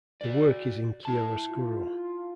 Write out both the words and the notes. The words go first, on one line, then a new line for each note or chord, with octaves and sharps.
The work is in chiaroscuro.
F#4 D5
E4 A5
F4